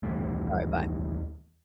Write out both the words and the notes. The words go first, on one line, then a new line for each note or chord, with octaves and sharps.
Alright, bye.
D#2 E3 G3 A3